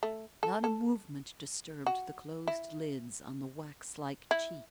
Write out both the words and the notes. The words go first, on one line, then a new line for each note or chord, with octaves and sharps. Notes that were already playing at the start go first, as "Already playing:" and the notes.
Not a movement disturbed the closed lids on the wax-like cheek.
A3
A4
A4
F#4
E4
E4